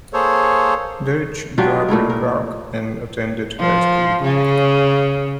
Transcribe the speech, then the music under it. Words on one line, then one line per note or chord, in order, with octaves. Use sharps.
Deutsch grew up in Prague, and attended high school.
A#3 G#4 A4 C5 C#5
F#3 D4 F4 G4
A#2 A3 E4 A#4
A#4
F3
C#3